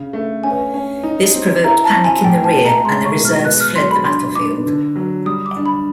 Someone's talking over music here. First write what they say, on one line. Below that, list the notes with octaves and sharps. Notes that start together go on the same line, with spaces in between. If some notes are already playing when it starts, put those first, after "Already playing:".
This provoked panic in the rear and the reserves fled the battlefield.
Already playing: C#3
A3
C#4 G#5
C#4
D#4
C4
E4 A#5
A5
C4
G#5
A2 G5
A5
A2
A#5
G#3 C6
C#6
B2
F6
B3 F#6
F6
F#3 C6
B5
D4 C6
D4 D6
D3
F#3
G3 D#6
D6
D4
B5